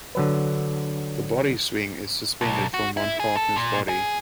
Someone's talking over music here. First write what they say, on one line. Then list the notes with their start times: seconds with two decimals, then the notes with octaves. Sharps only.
The body swing is suspended from one partner's body.
0.15 D3 F#3 B4
2.41 B1
2.74 F#4
2.97 E4
3.20 G#4
3.37 A4
3.56 A#2
3.89 G#4